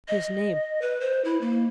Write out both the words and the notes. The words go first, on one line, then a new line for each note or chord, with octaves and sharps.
His name?
D#5
B4
C5
E4
A#3